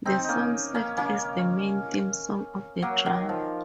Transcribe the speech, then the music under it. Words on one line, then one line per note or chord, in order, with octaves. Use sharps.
The song served as the main theme song of the drama.
C4 D#4
A#3 C#4 D#4
A#3 C#4
A#3 C#4
F#3 A#3
D#3 F#3
F3